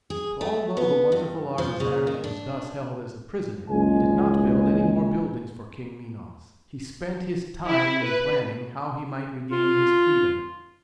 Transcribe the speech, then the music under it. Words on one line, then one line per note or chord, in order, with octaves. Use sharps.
But although the wonderful artisan was thus held as a prisoner, he did not build any more buildings for King Minos; he spent his time in planning how he might regain his freedom.
G#4
A3
B3
G2
F3
C#3
D#3
D4
F#1 C#2 G#3 G#5
E4
B4
F4